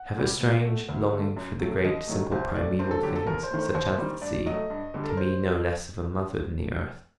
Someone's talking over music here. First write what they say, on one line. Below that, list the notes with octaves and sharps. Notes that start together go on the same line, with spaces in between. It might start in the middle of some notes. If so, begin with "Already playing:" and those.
I have a strange longing for the great simple primeval things, such as the sea, to me no less of a mother than the Earth.
Already playing: F#5
A#2 G3
A2
A3
D2
D3 A3
F#2
F#3 A3
D#2 D#5
D#3 F#3 A3
C2 C5
A#2 A3 D5
G2 C5
A4
D3 F#3 G4
A4
D#2 A#4
C5
D#3 A3
C5
D#2 C5
D#3 G3
G2 D5
F#3 A3 D#5
G2
D3 G3
A4
A#4
C5